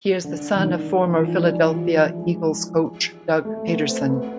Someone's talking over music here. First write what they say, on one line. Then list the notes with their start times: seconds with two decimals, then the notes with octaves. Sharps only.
He is the son of former Philadelphia Eagles coach Doug Pederson.
0.24 D3
0.56 D#3
1.05 E3
1.21 F3
1.37 G3
1.53 E3
1.74 F3
1.95 G3
2.17 G#3
3.45 A3
3.67 B3
3.89 C4
4.09 B3